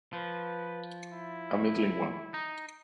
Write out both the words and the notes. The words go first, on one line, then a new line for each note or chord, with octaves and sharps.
A middling one?
F3 B4
E4
D#4